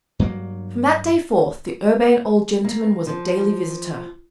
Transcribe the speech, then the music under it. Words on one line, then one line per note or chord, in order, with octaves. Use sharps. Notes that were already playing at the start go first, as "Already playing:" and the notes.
From that day forth, the Urbane Old Gentleman was a daily visitor.
G2 F#3 A#3
A#3
F3